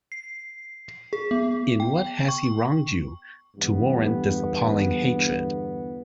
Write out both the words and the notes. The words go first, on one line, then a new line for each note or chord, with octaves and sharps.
In what has he wronged you, to warrant this appalling hatred?
C7
G#4
B3
G5
C#6
E2 G2 D3 B3